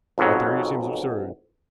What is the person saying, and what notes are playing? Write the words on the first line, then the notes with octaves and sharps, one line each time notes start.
My theory seems absurd.
B1 F2 G#2 B2 F#3